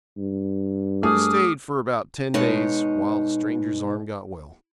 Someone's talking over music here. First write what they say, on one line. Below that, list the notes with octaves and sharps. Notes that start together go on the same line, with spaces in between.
We stayed for about ten days, while the stranger's arm got well.
G2
A3 G#4 D6 D#6 F6
B2 G#3 D#4 C#5